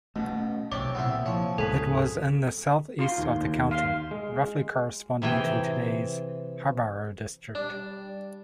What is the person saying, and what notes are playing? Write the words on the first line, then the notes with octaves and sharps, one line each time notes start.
It was in the south-east of the county, roughly corresponding to today's Harborough district.
B2 A3 C#4
B1 C3 C#5 D5 D6
A#2 B3 C4 E4
F3 C#5
C#2 G#2 B2 G#4 A4 B4
F4 C6
D#2
D#2
F5 C6
G#3
C3 E3 G#4 G5
G3 D4